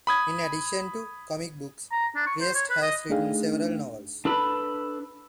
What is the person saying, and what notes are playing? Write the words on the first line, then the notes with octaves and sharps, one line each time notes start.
In addition to comic books, Priest has written several novels.
B5 D#6 G#6
A#5
D4
C#6
C5
C#5
B4
D#5
A3 D4 D#4 G#4 F5 G5
D4 A4 B4 B5